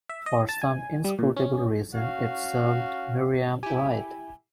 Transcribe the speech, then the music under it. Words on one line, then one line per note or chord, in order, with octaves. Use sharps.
For some inscrutable reason it served Miriam right.
E5
D#5
A5
G#5
G3
A#2
C#4
C#4 F#4 F5
E4 G4 G#5